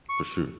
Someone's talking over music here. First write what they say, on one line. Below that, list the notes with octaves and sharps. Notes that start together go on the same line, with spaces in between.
For sure.
C#6